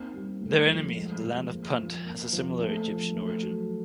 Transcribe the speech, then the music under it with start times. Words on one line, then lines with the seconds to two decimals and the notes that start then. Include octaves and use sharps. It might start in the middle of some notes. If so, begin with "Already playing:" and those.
Their enemy, the Land of Punt, has a similar Egyptian origin.
Already playing: A#3 C4 D#4
0.14 G3
0.42 A3
0.69 F3
0.96 G#3
1.23 F3
1.51 A#3
1.79 F3
2.05 A#3
2.33 F3
2.60 A3
2.88 F3
3.16 A3
3.43 F#3